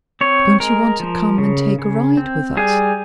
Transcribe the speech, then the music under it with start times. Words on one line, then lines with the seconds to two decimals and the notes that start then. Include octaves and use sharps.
"Don't you want to come and take a ride with us?"
0.21 C4 C#5
0.60 G#3 A#4
1.00 F3
1.38 C#3
1.79 C#3
2.17 C4
2.57 G3 G#4